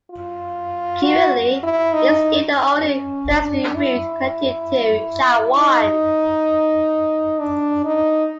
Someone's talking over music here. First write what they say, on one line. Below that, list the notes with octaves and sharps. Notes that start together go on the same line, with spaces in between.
Currently, it is still the only pedestrian route connecting to Chai Wan.
F4
F#4
E4
D#4
C#4
D4
E4
D#4
D4
D#4